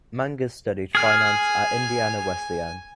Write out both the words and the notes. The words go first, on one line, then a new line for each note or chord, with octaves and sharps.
Mangas studied finance at Indiana Wesleyan.
G#4 G#5 F6